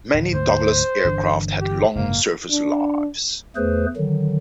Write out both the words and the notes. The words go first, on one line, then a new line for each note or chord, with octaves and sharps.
Many Douglas aircraft had long service lives.
D1
D2 G#2 C5
G1 E3 D4
G4
F#1 G#2 C3 A#3
D4
E2 A3 G#4 B4 C5
D3 D#3 F#3